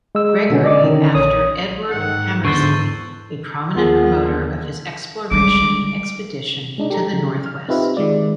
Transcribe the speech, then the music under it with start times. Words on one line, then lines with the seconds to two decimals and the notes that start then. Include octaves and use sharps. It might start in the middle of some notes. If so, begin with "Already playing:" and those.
Gregory after Edward Hamersley, a prominent promoter of his exploration expedition to the Northwest.
0.15 G#3 E6
0.50 B2 D3 B3 C#4
0.64 D5 D#5 D6
0.82 D3 D#3 C#4
1.15 A#1 C#5 D#6
1.91 G#2 D#3 F#5
2.45 E2 G#2 D3 E3 C5 C#6 E6 A6
3.75 D#2 F3 B3 F4 G#4
5.31 G3 G#3 D6
6.78 G#3 D4 D#4
6.90 G4 A4 A#5
7.13 C#3
7.46 F6
7.69 C4 D#4 F4 G4 B4 E5
7.97 D#3 G#3 D5